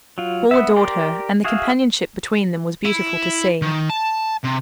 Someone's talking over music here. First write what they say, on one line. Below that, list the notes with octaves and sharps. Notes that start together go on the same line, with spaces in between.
Paul adored her, and the companionship between them was beautiful to see.
F#3 F4
B3 E5
G4 A#4 D5 C6
F#4 G#4 E5 F5
E4
D#3
A5
C3